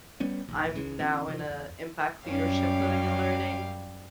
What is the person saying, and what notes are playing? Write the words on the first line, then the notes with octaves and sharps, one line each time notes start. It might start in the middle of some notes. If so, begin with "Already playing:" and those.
I'm now in a impact leadership living and learning,
G3 B3 C#4
F1 A#1 D#2
C#2 C#3 G#3
B2 E3 C4 C#4
E2 C3 E3 F3
E2
F#2 G3 C#4 F5